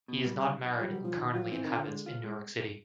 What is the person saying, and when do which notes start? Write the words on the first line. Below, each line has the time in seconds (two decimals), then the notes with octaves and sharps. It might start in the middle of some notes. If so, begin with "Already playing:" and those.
He is not married and currently inhabits in New York City.
0.08 B2
0.26 G3
0.45 B1
0.62 B1
0.80 F3 G3
0.93 F#3
0.98 B1
1.04 F3
1.17 D#3
1.34 F#3 F4
1.43 F3
1.51 E3 C4
1.64 D#3
1.71 D3 F4
1.88 G#3
2.06 F4
2.24 G#3